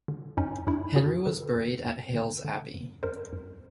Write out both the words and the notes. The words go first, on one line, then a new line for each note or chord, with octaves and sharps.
Henry was buried at Hailes Abbey.
D3
F#2 C#4 D#4
F#2 D4 E4
D3 F#4 G#4
D3 A4 B4
F#2
F#2
D3
D3
F#2
F#2 A#4 C5
F#2